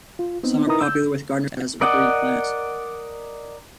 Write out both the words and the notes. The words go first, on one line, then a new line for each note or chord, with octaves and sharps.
Some are popular with gardeners as rockery plants.
F4
B3 C4 D#4
D#4 E4 A#4 B4 A#5 D#6
E6 G6
A#4 D5 D#5 F#5